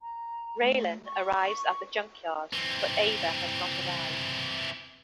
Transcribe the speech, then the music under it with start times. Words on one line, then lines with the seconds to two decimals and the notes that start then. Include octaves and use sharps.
Raylan arrives at the junkyard but Ava has not arrived.
0.01 A#5
0.62 A3
1.06 C#6
2.53 E3 C4